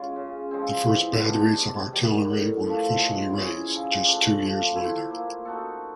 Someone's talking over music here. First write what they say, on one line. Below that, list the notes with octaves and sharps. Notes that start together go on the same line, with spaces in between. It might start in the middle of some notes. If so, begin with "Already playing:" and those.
The first batteries of Artillery were officially raised just two years later.
Already playing: G#3 C#4 F4
C#3
F3 G#3 C4
E3
G#3 B3 D4
C3
D#3 G3
A2
F3 A3
G#3
C#4 E4 G#4
F3
A3 D4
F3
A3 C4 E4
A#3
D#4 F#4 A4